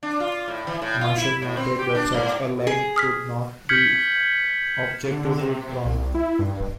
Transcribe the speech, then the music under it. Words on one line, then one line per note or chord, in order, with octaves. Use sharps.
Marshall noted that such a line could not be objectively drawn.
D4
F4
A2
E3
A2
F4
E4
A2
C4
G4
D4
G#2
G#4
D#6 F6 B6
F6 G6 G#6 B6 C#7 F#7
D3
C3
C2
E4
G2